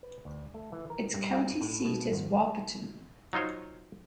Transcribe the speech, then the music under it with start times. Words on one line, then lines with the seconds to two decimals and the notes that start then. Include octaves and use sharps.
Its county seat is Wahpeton.
0.03 B4
0.25 D2
0.54 A3
0.72 E3
0.90 A#4
1.14 G2
1.61 A2
1.85 B2
2.12 G#1
3.33 F#3 D#4 F4 C5 C#5